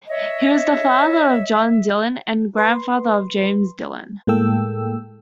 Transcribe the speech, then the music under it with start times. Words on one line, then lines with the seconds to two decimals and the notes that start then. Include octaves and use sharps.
He was the father of John Dillon, and grandfather of James Dillon.
0.08 C#5 D#5 E5
2.58 B4 C6
4.27 A2 G#3 A#3 A4 G5 E6